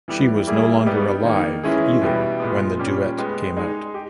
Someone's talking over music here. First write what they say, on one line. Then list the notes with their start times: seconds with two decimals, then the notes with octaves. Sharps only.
She was no longer alive either when the duet came out.
0.08 E3 G3 B3 G4
0.47 G3 A#3 E4 G#4
0.86 G3 B3 D#4 G4
1.24 D#3 A#3 D#4
1.64 E3 G#3 C#4 E4 G#4
2.02 B2 G3 B3 E4 G4
2.40 A#2 G#3 B3
2.79 A#2 G3 C#4 G4
3.18 G#3 B3 G4
3.56 G#3 D#4 G#4
3.94 G4